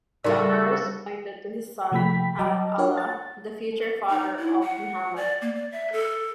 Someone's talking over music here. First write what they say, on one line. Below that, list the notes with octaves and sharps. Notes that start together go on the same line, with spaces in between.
The arrows pointed to his son Abd-Allah, the future father of Muhammad.
C#3 G3 A3 D#4 F#4 A4 A#4 D5
C3 F3 A3 G5 B5 B6
F#3 G3 D#5 A5 A#5 D6
D4 F4 A#4 C#5 F5
F#5 A6
D#4
E4
F#5
D5
A#3
D5
E5
A4